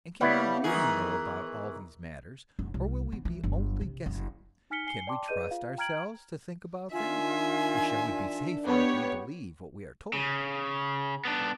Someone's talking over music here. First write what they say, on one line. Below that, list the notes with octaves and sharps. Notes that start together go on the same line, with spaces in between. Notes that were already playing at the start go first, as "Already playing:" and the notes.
And can we really know about all these matters, or will we be only guessing? Can we trust ourselves to think about them, or shall we be safer if we believe what we are told?
C#3 G3 B3 E4
D#3 E3 G#4
F#1
C2
B3
E3
G1
C3
F#1
D#4 G#5 F6 B6 C#7 G7
G#5 C7 C#7 G7
D5 G5 A5 C6 D6
G#4 B4 D5 D#5 G6 D#7
F4 F5
G5 A#5 F6 G#6 D7 F#7
D#3 D4 F4 E5 G#5
B3 G4 C#5
C#3
B3 D4